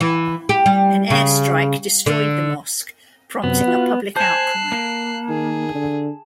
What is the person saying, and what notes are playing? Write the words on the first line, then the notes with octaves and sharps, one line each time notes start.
An airstrike destroyed the mosque, prompting a public outcry.
E3
G4
G3
C#3
D3
F#2 C3 B3
F4 F#4
C5 G#5 A5 F#6 C7 E7
A#3
D#3 G#4
D3